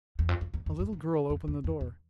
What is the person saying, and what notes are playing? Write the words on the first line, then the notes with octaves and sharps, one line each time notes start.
A little girl opened the door.
E2
F2
F2
E2
F2
F#2
G2
F2
E2
F2
E2